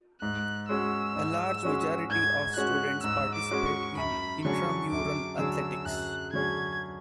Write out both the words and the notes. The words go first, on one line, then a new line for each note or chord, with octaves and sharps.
A large majority of students participate in intramural athletics.
G#2 F#6
G#3 C#4 F#4 E6
G#2
G#3 C#4 F#4
G#2 G#6
G#3 C#4 F#4 F#6
G#2 E6
D6
G#3 C#4 F#4
C#6
F#2 B5
D3 F#3 C#4 G#4 C#6
F#2 D6
D3 F#3 C#4 G#4 E6
F#2 F#6
D3 F#3 C#4 G#4 G#6